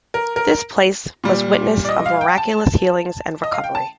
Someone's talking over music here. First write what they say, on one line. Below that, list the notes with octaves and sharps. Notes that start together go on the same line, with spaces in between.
This place was witness of miraculous healings and recovery.
A#4
A#4
A#2 G3
D5
D#5
F5
G5
A5
D#5
F5
G5
A5